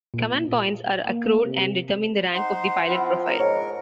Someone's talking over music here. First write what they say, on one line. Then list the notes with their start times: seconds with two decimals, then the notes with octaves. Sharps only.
Command points are accrued and determine the rank of the pilot profile.
0.14 A#2
1.06 A#3
1.44 C3
2.34 D#4 C5 F#5 C6
2.89 F3 C4 E4 F4
3.25 A#4
3.40 G#2 C#5 D#5